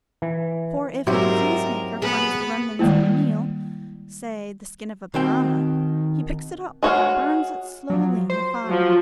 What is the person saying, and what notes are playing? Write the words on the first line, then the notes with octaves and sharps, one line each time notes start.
For if a disease-maker finds the remnants of a meal, say the skin of a banana, he picks it up and burns it slowly in the fire.
E3
G#2 F#3 C4 E4 F#4 G4 A#4
B3 G#4 B4
D#3 G3 G#3 A#3 E4
B2 D#3 C4 G5
G#3 F#4 C#5 F5
F3 F#3
C5
F3 F#3